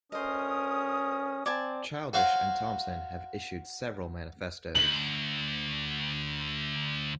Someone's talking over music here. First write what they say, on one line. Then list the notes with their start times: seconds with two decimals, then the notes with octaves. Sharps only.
Childish and Thomson have issued several manifestos.
0.12 D2 C#4 A#4 C5 D#5 D#6
1.46 C4 D5 G#5 A5
2.13 F#4 C5 C#5 F5
4.75 D2 F#7